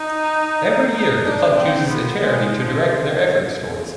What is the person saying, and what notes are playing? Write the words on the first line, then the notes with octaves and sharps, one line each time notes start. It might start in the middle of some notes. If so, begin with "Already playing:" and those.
Every year the club chooses a charity to direct their efforts towards.
Already playing: D#4
D#4
D4
C4
B3
G#3
F3